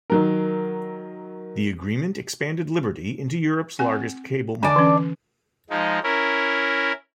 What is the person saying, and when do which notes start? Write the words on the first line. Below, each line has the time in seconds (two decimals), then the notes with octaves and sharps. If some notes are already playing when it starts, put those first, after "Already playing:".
The agreement expanded Liberty into Europe's largest cable market.
0.10 D#3 F#3 A#4
3.79 C4 G#5
4.63 D3 D4 D5 G#5
4.76 E3 C#4
5.70 F3 G#3 D#4
6.03 C#4 E4 A#4